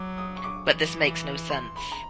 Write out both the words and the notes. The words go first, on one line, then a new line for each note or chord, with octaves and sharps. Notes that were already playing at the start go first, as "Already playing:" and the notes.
But this makes no sense.
Already playing: F#3 D6
D#6
C#6
D6
E3
C6
B5
A#5